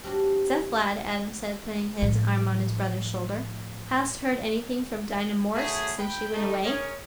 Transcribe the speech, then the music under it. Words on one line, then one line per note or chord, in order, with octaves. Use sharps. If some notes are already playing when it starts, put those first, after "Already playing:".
"Seth, lad," Adam said, putting his arm on his brother's shoulder, "hast heard anything from Dinah Morris since she went away?"
G3 C4 D4 F#4 G4
A2 F3
C#3 A3 F#4 G#4
B4 G5
A3 D#4
C#4 G#4 A#4 C#5